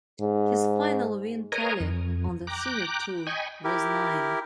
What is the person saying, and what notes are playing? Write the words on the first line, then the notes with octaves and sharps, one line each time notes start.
His final win tally on the Senior Tour was nine.
G#2
A#4 B4 C#5 D#5 G#5 A#5
F2
G5 A#5 D6 F#6
D#5 G5 G#5 B5 C#6
E4 G4 A#4